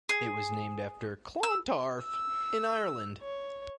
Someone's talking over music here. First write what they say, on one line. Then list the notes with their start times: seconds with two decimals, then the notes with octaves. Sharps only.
It was named after Clontarf in Ireland.
0.09 G#4
1.43 E6
2.03 E6
3.22 C#5